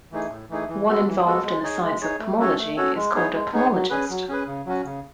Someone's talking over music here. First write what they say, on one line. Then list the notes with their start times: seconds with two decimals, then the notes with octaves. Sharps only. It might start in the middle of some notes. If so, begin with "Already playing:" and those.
One involved in the science of pomology is called a pomologist.
0.12 E3 A3 D#4 G#4
0.30 A2
0.50 E3 A3 D#4 G#4
0.68 E3
0.87 G#3 B3 F#4 A4
1.06 E3
1.25 G#3 B3 F#4 A4
1.44 G#3
1.63 D#4 G#4 C#5
1.82 G#3
2.01 D#4 G#4 C#5
2.20 A3
2.39 C#4 F#4 A4 C#5
2.58 A3
2.77 C#4 F#4 A4 C#5
2.96 G#3
3.14 B3 D#4 G#4 C#5
3.34 G#3
3.53 B3 D#4 G#4 C#5
3.71 F#3
3.90 C#4 G#4 B4
4.10 F#3
4.29 C#4 G#4 B4
4.47 C#3
4.66 F#3 C#4 F#4
4.85 C#3